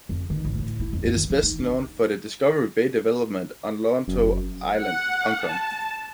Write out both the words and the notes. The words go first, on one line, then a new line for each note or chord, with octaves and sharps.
It is best known for the Discovery Bay development, on Lantau Island, Hong Kong.
F2
D#3
A1
A2
E4
F2
F#2
D#3
F3
D#4
D4
F#1 F#2
F#5
A5